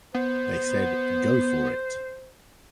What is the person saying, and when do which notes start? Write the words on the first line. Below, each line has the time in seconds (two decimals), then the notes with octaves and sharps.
They said, Go for it!
0.14 B3 C5